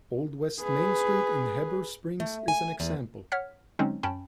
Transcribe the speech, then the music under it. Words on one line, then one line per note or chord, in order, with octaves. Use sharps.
Old West Main Street in Heber Springs is an example.
G#4 B4
A3
G#5
E2
C#5 F#5 F6 B6
D3 F#3 G#3 C4 C#4 D#4
F#2 C#4 G5 A5 B5